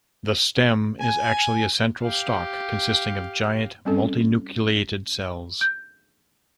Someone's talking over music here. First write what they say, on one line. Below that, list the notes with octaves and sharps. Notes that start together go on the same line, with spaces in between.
The "stem" is actually a central stalk consisting of giant, multinucleated cells.
G#5
G4 F5
G3 C4 C#4 A4
G6